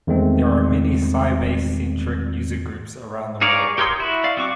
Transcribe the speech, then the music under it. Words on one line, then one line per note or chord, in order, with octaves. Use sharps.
There are many Sybase-centric user groups around the world.
E2 D#3 G#3 A3 C4
D#4 G#4 C#5 D5 F5
G4 A#4 C#5 C6 D#6
E4 F#4
D5 F5
F#3 C4 F#4 C#6 D6